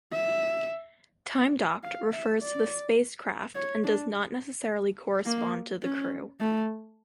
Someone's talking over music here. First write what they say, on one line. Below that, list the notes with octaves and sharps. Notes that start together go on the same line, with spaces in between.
"Time docked" refers to the spacecraft and does not necessarily correspond to the crew.
E5
F5
E5
D5
C#5
D4
A#3
C#4
A3